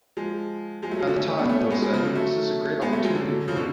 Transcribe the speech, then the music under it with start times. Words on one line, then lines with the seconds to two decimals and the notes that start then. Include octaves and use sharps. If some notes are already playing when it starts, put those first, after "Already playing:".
At the time, Lewis said: This is a great opportunity for me.
0.17 F3 G#3
0.82 F3 G#3
0.91 F#3 A3
0.99 F3 G#3
1.07 D3 F#3
1.16 A3 C#4
1.27 A3 C#4
1.38 B3 D4
1.49 A3 C#4
1.60 A3 C#4
1.71 G#3 B3
1.82 G#3 B3
1.93 C#3 F3
2.04 D3 F#3
2.15 F#3 A3
2.82 G#3 B3
2.93 F#3 A3
3.04 F3 G#3
3.15 D3 F#3
3.41 F#3
3.48 C#3 F3
3.56 B2 D3